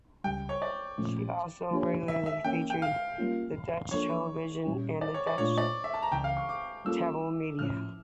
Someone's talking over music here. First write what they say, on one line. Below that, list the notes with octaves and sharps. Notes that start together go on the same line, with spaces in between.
She is also regularly featured on Dutch television and in Dutch tabloid media.
C#2 C#3 G3 G5
C#5
D5
A#2 F3 A3 C#4
F3 A#3 D4 G4 C#5
E5
E5
E3 A#3 C#4 G5
G5
F5
G3 A#3 C#4 F4
F3 A#3 D4 A4 C#5
A#2 G3 C#4 E4
D5
C#5
D5
A#2 A3 D4 F4 C#5
D5
E5
A5
A#5
C#2 C#3 E3 G5
F5
C#6
D6
G3 A#3 C#4 F4 A4 E6
A2 F3 C#4 E4 F6